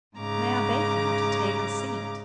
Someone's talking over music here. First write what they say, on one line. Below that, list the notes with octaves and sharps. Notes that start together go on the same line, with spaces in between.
May I beg you to take a seat?'
G#2 C#3 A#5 D6